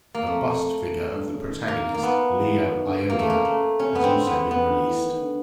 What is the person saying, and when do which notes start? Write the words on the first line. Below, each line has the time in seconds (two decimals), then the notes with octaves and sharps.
A bust figure of the protagonist, Leo Aiolia, has also been released.
0.15 A#3
0.27 F2 A3
1.15 G2
1.33 C#3
1.50 D#3
1.68 A#3
1.94 A#3
2.03 B3
2.39 E3
2.62 D#3
2.86 D3
3.09 C#3 A#3
3.19 A3
3.30 A#3
3.45 A3
3.79 C3 C#4
3.95 B3
4.03 D3 C4
4.27 C#3 B3
4.51 C#3 B3
4.69 D3
4.87 E3
5.04 D#3
5.22 D3